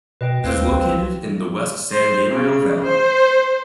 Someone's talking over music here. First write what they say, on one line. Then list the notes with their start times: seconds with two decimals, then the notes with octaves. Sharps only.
It is located in the West San Gabriel Valley.
0.21 B2 B4 D#5 G5
0.44 D#2 C4 B4 F5 G5
0.67 C2 C4
1.91 C5
2.30 C#3
2.82 C5